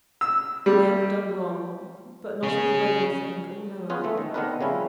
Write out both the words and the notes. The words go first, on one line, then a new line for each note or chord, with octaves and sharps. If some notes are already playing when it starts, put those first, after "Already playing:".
'I have done wrong, but not in the way you think or know about.
E6
G3
C#4 G#4
B3 C#4 F4 G#4 B4
E3 A3 E5
D#3
D#3 B3 C4 D4 A#4 B4
C#3 F3 G3 C#4 E4